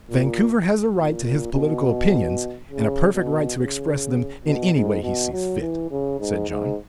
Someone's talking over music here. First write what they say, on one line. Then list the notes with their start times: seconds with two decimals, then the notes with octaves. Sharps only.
"Vancouver has a right to his political opinions, and a perfect right to express them in any way he sees fit," said John.
0.09 A#2
0.96 A#2
1.24 A#2
1.53 B2
2.71 C#3
3.13 B2
3.58 C#3
4.45 B2
4.74 G#2
5.03 B2
5.32 F#3
5.61 E3
5.91 C#3
6.19 G#2
6.49 G#2